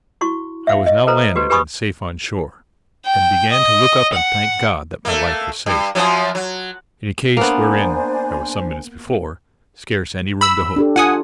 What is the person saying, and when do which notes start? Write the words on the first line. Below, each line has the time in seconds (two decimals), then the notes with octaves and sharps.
I was now landed and safe on shore, and began to look up and thank God that my life was saved, in a case wherein there was some minutes before scarce any room to hope.
0.21 E4 F#4 C#6
0.67 E5 F5
0.86 D#5
1.07 A4 B4 C5 A#5
1.36 F#4 G4 B4
1.50 G4 B4 G#5 B5 C#6 D#6
3.05 G5
3.51 D#5
4.13 F#5
5.05 A3 A#3
5.66 G2
5.95 F#2 F3 F#3
6.35 F#3
7.37 A#3 B3 D4 C5 G#5
10.41 B5 E6
10.76 D4 G4 A4
10.96 F4 F#5 G#5 D#6